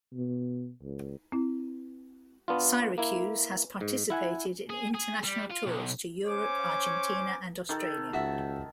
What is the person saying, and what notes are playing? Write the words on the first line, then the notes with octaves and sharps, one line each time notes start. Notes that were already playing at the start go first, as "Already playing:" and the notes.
Syracuse has participated in international tours to Europe, Argentina and Australia.
B2
C#2
C4 E4
B3 D4 F4
A#3 E4
G#2
E4 F#5 G#5
G#4
G#4
G3
F4
B1
C#4 C5 C#5 G#5 D6
D#3 A4
C#2 F#4 E5